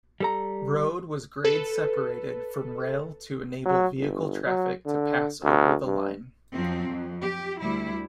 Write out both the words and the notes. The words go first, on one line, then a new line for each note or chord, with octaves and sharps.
Road was grade-separated from rail to enable vehicle traffic to pass over the line.
G3 A4 A#5
A4 B4
F#3
G1
F#3
D3
D2
G2
F2 F3 F#3 C4
F2
G4
D2 G3 E4